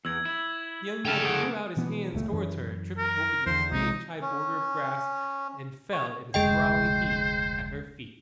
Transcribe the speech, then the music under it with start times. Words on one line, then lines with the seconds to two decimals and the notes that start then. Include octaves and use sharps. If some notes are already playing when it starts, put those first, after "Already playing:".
The young man threw out his hands towards her, tripped over the three-inch-high border of grass, and fell in a sprawling heap at her feet.
0.05 E2 E6 G#6
0.25 E4
1.05 D2 C#3 A4 G5 A5 F6 F7
1.22 G#4 F#5 D7
1.77 B2 E3 B3
2.13 F#1 C#2 A3
2.31 F#2 E3
2.98 A#4
3.46 E2 D3 C5
3.72 B1 C3 G#3 D#4
4.21 C#4
5.93 C#5
6.34 F1 D2 G#3 G#4 C5 D#5 G5